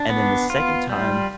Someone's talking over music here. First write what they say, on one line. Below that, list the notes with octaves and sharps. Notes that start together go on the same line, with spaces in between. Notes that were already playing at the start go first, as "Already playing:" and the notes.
and then the second time
Already playing: D4
B3
F4
G3